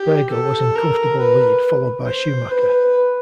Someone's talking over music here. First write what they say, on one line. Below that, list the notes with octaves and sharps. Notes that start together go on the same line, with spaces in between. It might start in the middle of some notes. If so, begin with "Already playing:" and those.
Berger was in comfortable lead followed by Schumacher.
Already playing: G4
A4
A#4
B4
C5
B4